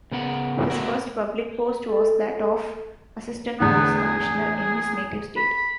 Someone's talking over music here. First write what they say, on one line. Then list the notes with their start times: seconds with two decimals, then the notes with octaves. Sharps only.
His first public post was that of Assistant Police Commissioner in his native state.
0.12 C#3 B3 A#4 F#5
0.70 A3 B3 E4 F#4 A#4
1.89 A4
3.60 E2 A2 D3 B3
3.98 G#4
5.37 B5